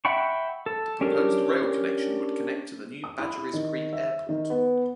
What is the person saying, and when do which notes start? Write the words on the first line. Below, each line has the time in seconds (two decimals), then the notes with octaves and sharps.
The proposed rail connection would connect to the new Badgerys Creek Airport.
0.05 E5 F#5 G5 B5 C#6
0.66 A4
1.01 C#4 D4 G4 A#4
3.04 D#6
3.19 E4
3.53 D#3
3.93 E5
4.29 D#3
4.50 B3